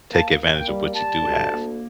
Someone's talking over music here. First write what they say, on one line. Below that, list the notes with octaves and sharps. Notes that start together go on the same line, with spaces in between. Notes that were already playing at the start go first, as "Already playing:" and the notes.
take advantage of what you do have.
A#3 A5
A#3
G5
G3
G3 A5
D2
A#3